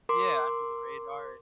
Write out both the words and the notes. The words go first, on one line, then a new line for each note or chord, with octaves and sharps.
Yeah, under the radar,
A#4 C6 D6